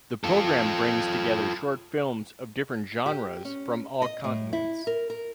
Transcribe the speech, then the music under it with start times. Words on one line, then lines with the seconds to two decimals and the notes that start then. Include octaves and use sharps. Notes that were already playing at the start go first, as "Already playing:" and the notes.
The program brings together short films of different genres from all continents.
0.24 F4 A4
3.06 G4
3.45 C#4
4.02 D#5
4.24 A2
4.53 E4
4.87 A#4
5.10 A#4